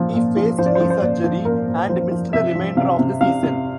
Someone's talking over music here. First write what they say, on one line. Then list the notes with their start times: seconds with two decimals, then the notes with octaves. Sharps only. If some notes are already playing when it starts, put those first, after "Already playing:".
He faced knee surgery and missed the remainder of the season.
Already playing: A#2 F3
0.14 A#2
0.36 F3
0.58 F3 C5
0.66 D5
0.75 C5
0.80 F3
0.90 C5
1.02 A#2 D5
1.24 F3
1.45 A#2 A#4
1.67 A#2
1.89 F3 C5
2.11 F3
2.33 C3 E5
2.55 F3
2.77 C3 F5
2.99 C3
3.21 C3 F5
3.43 C3